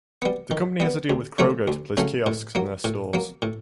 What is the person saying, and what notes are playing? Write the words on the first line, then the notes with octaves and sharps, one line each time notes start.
The company has a deal with Kroger to place kiosks in their stores.
G3 B3
D#3
G3 B3
D2
C#3 F#3 A3 C#4
D2
C#3 F#3 A3 C#4
A2
F#3 A#3
A2
F#3 A#3
A2